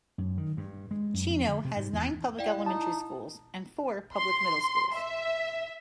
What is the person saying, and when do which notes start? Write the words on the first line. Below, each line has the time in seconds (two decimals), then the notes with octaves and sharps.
Chino has nine public elementary schools and four public middle schools.
0.18 F#2
0.38 D#3
0.57 G2
0.91 G#3
1.14 F#2
1.30 F2
1.48 D3
1.65 C3
1.76 G#2
1.93 E2
2.39 E4 D5 F5 G5
2.66 D#4 A5
4.15 C6
4.95 E5